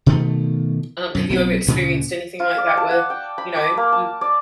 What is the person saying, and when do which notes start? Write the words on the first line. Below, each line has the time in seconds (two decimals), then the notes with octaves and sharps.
Um, have you ever experienced anything like that where, you know? You
0.06 B2 D#3 F3 A3
1.15 F#2 B2 D3
1.30 B1 F#3 B3 C4
1.66 D2 A#2 C#3
2.40 F4
2.58 D5
2.77 A5
2.91 F#5
3.10 G5
3.38 B5
3.56 D6
3.77 A#3
3.92 A5
4.21 D5